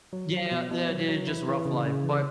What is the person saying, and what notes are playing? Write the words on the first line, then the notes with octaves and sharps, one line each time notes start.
yeah, yeah, dude, just rough life. But,
F#3
F#3
B2
B2
F#3
F#3
E3 E4
E3
C#3
C#3
E3